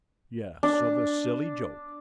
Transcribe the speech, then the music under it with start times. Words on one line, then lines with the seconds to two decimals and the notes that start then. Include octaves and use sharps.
"Yes, of a silly joke."
0.63 D4